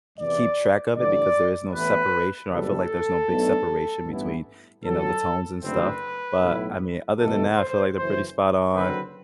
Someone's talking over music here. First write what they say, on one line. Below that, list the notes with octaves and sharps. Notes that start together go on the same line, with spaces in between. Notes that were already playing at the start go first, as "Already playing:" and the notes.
k keep track of it, because there is no separation, or I feel like there's no big separation between, you know, the tones and stuff, but, I mean, other than that, I feel like they're pretty spot on.
E2 C3 E3 D5
A1 G2 D3 D5
A1 A2 E3 B3 B4
F#1 E2 C3 G3 A4
B1 B2 A3 D4
A1 G2 E3 B3 E4
G1 F#2 F#3 A4
F#1 F#2 D3 A3 C4 B4
B1 A2 F#3 A3 E4
F#1 E2 B2 A3 A4
C5
F#1 F#2 E3 C5
F#1 F#2 D3 F#3 C4 B4